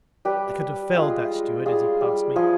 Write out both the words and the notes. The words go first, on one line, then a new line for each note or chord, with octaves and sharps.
I could have felled that steward as he passed me.
G3 G4 B4
G3
G#3 F4 G#4
G#3
G3 F4 G#4
G3
F3 F4 G#4